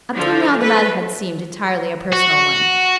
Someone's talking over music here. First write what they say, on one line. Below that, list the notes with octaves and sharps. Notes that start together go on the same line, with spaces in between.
Up till now the matter had seemed entirely a personal one.
D3 F3
A4 B4
F#4